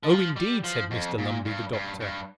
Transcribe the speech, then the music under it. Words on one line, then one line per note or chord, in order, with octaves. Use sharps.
'Oh, indeed!' said Mr Lumbey, the doctor.
D3
F3
G3
F3
F2
A#2
G2
G2
G2